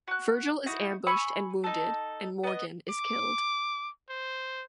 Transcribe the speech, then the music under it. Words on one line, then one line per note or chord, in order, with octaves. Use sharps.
Virgil is ambushed and wounded, and Morgan is killed.
F#4 F#6
D#4 E4 F#4
G#5 B5 C#6 E6
D#4 A4
B3 D#5
D6
C5